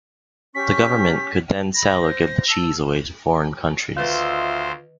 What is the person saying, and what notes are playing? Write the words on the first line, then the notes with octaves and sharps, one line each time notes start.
The government could then sell or give the cheese away to foreign countries.
C#4 G4 C#6 B6
B5 A#6
C5
A5 E6
D2 D#3 F4 B4 C5 D#5 E5 A6